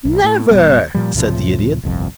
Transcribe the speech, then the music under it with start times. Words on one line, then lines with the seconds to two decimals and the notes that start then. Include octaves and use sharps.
"Never," said the Idiot.
0.05 B1
0.24 A2
0.49 E1 A#2 G3 B3
0.94 A#2 F3 G3
1.14 C#2 A2 C3 F3
1.83 G1 C2 F2